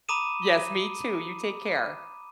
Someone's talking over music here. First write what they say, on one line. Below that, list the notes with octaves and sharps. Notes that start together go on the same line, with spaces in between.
yes, me too, you take care.
A#5 B5 D6 D#6 D#7 E7